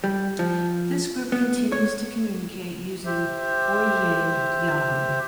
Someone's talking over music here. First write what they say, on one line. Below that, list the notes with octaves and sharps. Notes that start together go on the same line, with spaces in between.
This group continues to communicate using Ouyang Yahoo!
G3
F3
B3
C#5
G4 C5 E5